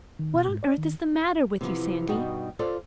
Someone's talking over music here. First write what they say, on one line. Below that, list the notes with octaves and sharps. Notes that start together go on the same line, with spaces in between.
What on earth is the matter with you, Sandy?
D#3
B2
G#2
D5
D#3
C3 E3 F3 B3
G2 B2 D#4 F#4 D#5 G5
F4 A4 C5 D5